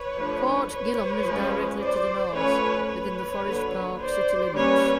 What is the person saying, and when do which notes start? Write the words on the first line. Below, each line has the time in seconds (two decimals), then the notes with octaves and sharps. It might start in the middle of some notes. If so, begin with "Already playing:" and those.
Fort Gillem is directly to the north, within the Forest Park city limits.
Already playing: B4 C#5
0.14 F3 A3 D4
0.70 B4 C#5
1.25 F3 G#3 C#4
1.80 C5 D5
2.35 F3 A3 C#4 B4 C#5
2.90 B4 C#5
3.45 D3 F#3 A#3
4.01 C5 D5
4.55 G3 A#3 C#4 B4 C#5